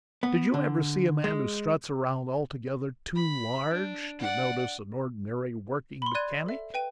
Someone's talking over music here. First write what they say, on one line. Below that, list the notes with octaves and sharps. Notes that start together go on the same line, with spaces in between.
Did you ever see a man who struts around altogether too large to notice an ordinary working mechanic?
B3
D3
G#3
B5
D4
D5 F#5
B5 C6
D5 C6 F#6 G#6 D#7
A4 E5
B4 G5 D#7